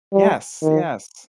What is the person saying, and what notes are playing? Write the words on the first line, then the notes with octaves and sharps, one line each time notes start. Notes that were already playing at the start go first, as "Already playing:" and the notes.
Yes, yes.
G3
D#3